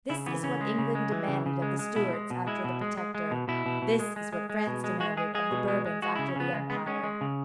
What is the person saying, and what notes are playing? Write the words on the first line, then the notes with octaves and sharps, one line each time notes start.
This is what England demanded of the Stuarts after the Protector; this is what France demanded of the Bourbons after the Empire.
C#3 E4
E3 B3
C#3 C#4
G#3
C#3
G#3
E3
C#3
C#3
G#3
G#3
B2 E4
G#3
B2
G#3 E4
B2
G#3
G#3
G#3
B2
B2 E4
B2
B2
G#3
G#3
G#3
G#3
B2
G#3
G#3 F#4
G#3 G#4
G#3 G#4
B2
G#3
G#3
G#3 F#4
C#3 E4
C#4
C#3 B3
C#3 G#3
G#3 B3
G#3 C#4
G#3
C#3